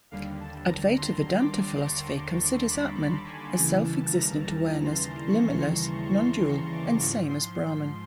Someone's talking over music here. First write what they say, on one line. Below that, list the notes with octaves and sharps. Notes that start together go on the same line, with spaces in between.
Advaita Vedanta philosophy considers Atman as self-existent awareness, limitless, non-dual and same as Brahman.
D#2 D3 G3 F5
A5
A#5
C6
D6
C#6
C#6
B5
A#5
G#5
D#2 C#3 E3 G3 G#5
A5
A#5
A#5
C6
C#6
C6
C#6
D6
G#2 F3 C#6
C6